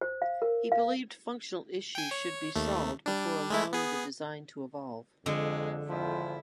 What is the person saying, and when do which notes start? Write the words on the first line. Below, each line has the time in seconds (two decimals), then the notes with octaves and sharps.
He believed functional issues should be solved before allowing the design to evolve.
0.01 C5
0.22 F5
0.42 A#4
0.72 F5
1.95 G5 G#5
2.11 C#5
2.55 D#2 A3
3.06 G3 D4
3.51 G#3 A3 E4
3.73 B3 G#4
5.26 F2 D3 G#3
5.88 G#1 F2 F3 E4